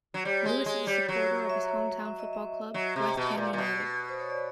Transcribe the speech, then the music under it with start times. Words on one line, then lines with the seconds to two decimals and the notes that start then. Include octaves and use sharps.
Lewis is a supporter of his home town football club, West Ham United.
0.14 F#3
0.25 G3 C#5
0.45 G#3
0.66 G#3
0.87 G3
1.08 F#3 C#5
1.50 E5
2.05 E5
2.19 D#5
2.33 E5
2.74 F#3
2.96 C3
3.17 B2
3.37 A#2
3.53 A#2
3.58 B2
4.09 C5
4.20 C#5
4.30 D5